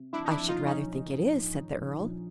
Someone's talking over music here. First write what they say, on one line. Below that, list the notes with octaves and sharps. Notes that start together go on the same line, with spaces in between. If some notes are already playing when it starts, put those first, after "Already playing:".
"I should rather think it is," said the earl.
Already playing: C3
E3 D4 E4
D#4
D4 E4
F2
D#4 F4
F2
C#4 D#4
A#1
A#1
G#2
D#3
A#1
A#1